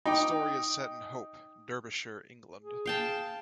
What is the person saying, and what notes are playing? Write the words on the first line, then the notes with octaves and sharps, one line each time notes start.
The story is set in Hope, Derbyshire, England.
D#4 G5 D6
G#4
F5 G5 A5